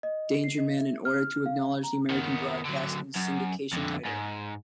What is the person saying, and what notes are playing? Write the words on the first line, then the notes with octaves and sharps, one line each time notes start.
Danger Man in order to acknowledge the American broadcast and syndication title.
D#5
C7
D#5
E5
F6
F5
A#5
D#3 B3
D3 F#3
F#2
F2 D3
G#2